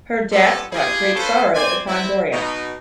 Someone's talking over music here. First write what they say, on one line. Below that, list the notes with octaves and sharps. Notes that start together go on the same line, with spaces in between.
Her death brought great sorrow upon Doriath.
F3 G3 B3 C#4 A4
E4 F4 G4 G#4
C#4 F4 A4 B4 C5
C4 C5 D5 G#5
C4 E4
B2 D#4